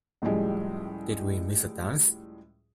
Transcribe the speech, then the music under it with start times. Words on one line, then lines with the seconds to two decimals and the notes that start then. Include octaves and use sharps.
Did we miss a dance?
0.22 C#2 A2 F3 G3 G#3